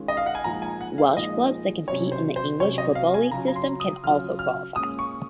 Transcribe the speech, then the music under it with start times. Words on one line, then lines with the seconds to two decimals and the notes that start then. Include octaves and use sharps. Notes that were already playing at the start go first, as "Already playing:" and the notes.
Welsh clubs that compete in the English football league system can also qualify.
Already playing: D#3 G#3 C#4 F4
0.08 D#5
0.17 F5
0.26 F#5
0.35 G#5
0.44 A#2 F3 G#3 D#4 A#5
0.62 G#5
0.81 F#5
0.98 F5
1.16 A#2 F3 G#3 D#4 D#5
1.88 C3 F#3 C#4 C#5
2.12 C5
2.36 C5
2.60 C3 F#3 C#4 C#5
2.78 D#5
2.95 F5
3.14 G#5
3.32 C#3 F#3 C#4 F4 A#5
3.48 A#5
3.56 C6
3.80 D#6
4.04 C#3 F#3 C#4 F4 F6
4.39 F6
4.75 A#2 G#3 C#4 F4 D#6
4.99 C#6